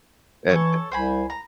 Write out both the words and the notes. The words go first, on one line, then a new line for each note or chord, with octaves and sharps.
and, eh
E3 A4 C#5
C2 C5 G#5 B5
A#5